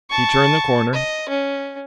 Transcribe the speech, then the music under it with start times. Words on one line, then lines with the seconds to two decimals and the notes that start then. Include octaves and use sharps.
He turned the corner.
0.10 A5 C#6
0.93 D#5
1.29 C#4